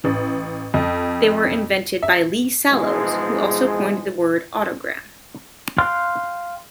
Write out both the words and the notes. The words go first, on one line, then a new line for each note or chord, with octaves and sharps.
They were invented by Lee Sallows, who also coined the word "autogram".
A1
F2
E5
G#2 B2 E3 F3 G#3
F5 G5 C6 F6 F#6